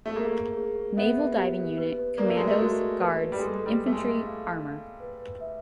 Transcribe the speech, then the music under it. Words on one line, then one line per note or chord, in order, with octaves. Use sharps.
Naval Diving Unit, Commandos, Guards, Infantry, Armour.
A3
A#3 G#4
G#4
B3 E5
G4
B4
A#3 D5
A3
G#3
A3
G#3 F#4
B4
G3
G#3 A4
G3
A4
A3
G#3
F5
F5
B4
E5